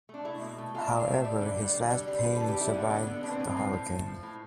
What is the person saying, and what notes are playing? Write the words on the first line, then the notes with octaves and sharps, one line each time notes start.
However, his last painting survived the hurricane.
A3 D4
A3 E4
B2
A3
A3 F4
E5
B2 D5
F5
A3 E5
G3 D5
D3
G3
G3
D3
G3
C5
G3 B4
D3 A4
G4
G3 E4
D3 B3
D3
D3 B3
A2 D4
C4
A2 B3
C4
A2
A2
A3
F3
A2